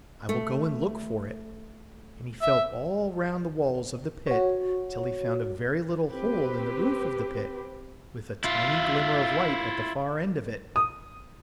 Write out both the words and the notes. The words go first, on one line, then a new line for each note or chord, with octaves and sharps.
I will go and look for it,' and he felt all round the walls of the pit till he found a very little hole in the roof of the pit, with a tiny glimmer of light at the far end of it.
A3
E5
F#4 C#5
C4 G4 B4
E4 F4
D#6